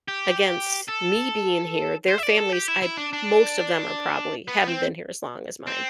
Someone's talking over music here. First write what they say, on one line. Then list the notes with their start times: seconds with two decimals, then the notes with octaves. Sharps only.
against me being here, their families, I most of them are probably haven't been here as long as mine.
0.08 G4
0.88 A4
2.08 C5
2.18 E5
2.23 D5
2.37 A4
2.52 G4
2.68 E4
2.82 E4
2.97 D4
3.13 D4
4.48 B3
4.68 C4
5.67 C4